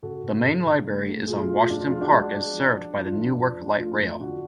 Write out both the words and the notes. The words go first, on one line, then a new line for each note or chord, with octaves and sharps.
The Main Library is on Washington Park and served by the Newark Light Rail.
C#3 F#4 A4
C#3
C#3
C#3
A3
A3
B2 F4 G#4
F4
A3
F4
F2 D4
F4
F3 F4 G#4
D4 F#4
G#3
G#3
F3
F3
F3 D4
F4
F3 F4
D4
F2
F3
A3 F4
F2
D3 D4 F#4